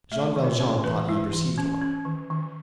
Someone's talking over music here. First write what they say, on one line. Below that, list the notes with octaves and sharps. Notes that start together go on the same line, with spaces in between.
Jean Valjean thought he perceived one.
A3 E5
D#3
C#5
C#4 C#5
E3 B4
G#3 E4
E3
C#4
C#4
D#3
D#3